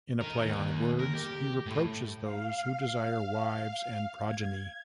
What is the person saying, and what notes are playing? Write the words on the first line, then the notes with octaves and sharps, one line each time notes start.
In a play on words, he reproaches those who desire wives and progeny.
D#4 A#4
D#2
A#4
G4
A2
F5
G#6